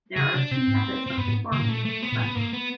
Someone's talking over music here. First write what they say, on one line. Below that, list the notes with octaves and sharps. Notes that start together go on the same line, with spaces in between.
There are two methods of performing a bunnyhop.
C#3 G#4
C3 D4
B2 C4
G#2
C4
G2 B3
A2
G#2
D3 A#3
A2
A#2 A3
A3
B3
A#2
A2 B3
G#2 A#3
B3